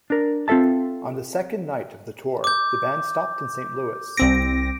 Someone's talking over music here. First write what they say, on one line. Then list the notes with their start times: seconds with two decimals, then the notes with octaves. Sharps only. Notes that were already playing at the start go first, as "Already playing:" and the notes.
On the second night of the tour, the band stopped in Saint Louis.
0.10 D4 A#4
0.48 C4 F4 A4 E5 A5
2.44 D6 G6
4.17 C2 C4 A#6 D7